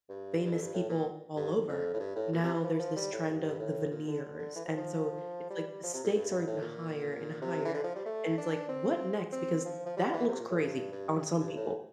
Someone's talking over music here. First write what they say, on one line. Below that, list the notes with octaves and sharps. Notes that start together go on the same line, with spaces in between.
famous people all over. Now there's this trend of the veneers, and so it's like the stakes are even higher and higher, and it's like, what next? Because that looks crazy on some people.
G2
G2
F2
G2
A2
A#2
G2
F2
A2
G2
A2
A#2
C3
E3
F3
E3
F3
G3
A2
G2
G2
A2
A#2
D3
D3
D3
E3
F3
F3
G3
G3
F3
C3
A#2
G2
G2
A2
A#2
C3
E3
D3
F3
G3
A3
D4
C4
C4
F3
F3
G3
E3
C3
A#2
A2
G2
G2
G2
A2